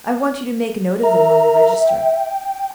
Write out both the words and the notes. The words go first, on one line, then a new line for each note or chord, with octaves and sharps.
I want you to make a note of them on the register.
A#4 E5 A#5
G5